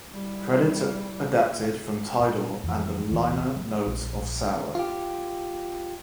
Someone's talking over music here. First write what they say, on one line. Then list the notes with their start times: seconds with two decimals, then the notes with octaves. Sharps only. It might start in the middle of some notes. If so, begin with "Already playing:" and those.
Credits adapted from Tidal and the liner notes of "Sour".
0.13 G3 E4
2.20 A#2
2.64 F2 E3
3.10 D1 G1 E3
3.56 F#3 A#3
3.86 A#1
4.75 F4 G4